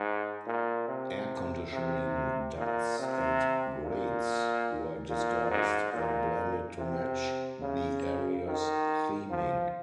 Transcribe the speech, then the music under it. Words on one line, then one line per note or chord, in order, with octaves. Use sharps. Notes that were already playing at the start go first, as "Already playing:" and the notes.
Air conditioning ducts and grates were disguised and blended to match the area's theming.
Already playing: G#2
A#2
C3
C3
A#2
C3
A#2
A#2
G#2
A#2
C3
C#3
D#3
F3